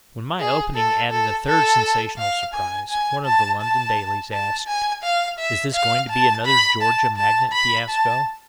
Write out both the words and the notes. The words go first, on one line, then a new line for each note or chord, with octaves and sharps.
When my opening added a third sensational surprise, one of the London dailies asked, "Is this going to be another Georgia Magnet fiasco?"
G#4
A4
A4
A4
F5
G#5
G#5
A5
A5
A5
G#5
F5
E5
F5
A5
B5
A5
A5
B5
A5